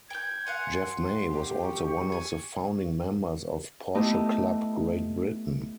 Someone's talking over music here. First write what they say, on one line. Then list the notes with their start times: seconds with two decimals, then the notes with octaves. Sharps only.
Jeff May was also one of the founding members of Porsche Club Great Britain.
0.10 G5 G6 G#6
0.47 F5 F#5 G#5 C6
1.31 G4
1.63 C#6
2.12 G#5
3.95 A3 B3 D#4 E4 G4